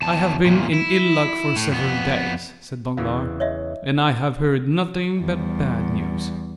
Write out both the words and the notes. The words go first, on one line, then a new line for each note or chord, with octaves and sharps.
"I have been in ill-luck for several days," said Danglars, "and I have heard nothing but bad news."
E2 A5
E2 A#2
E4
A2
F2 B3
E2 C#3 E3 F5
C#5 D#5 E5
E2 G3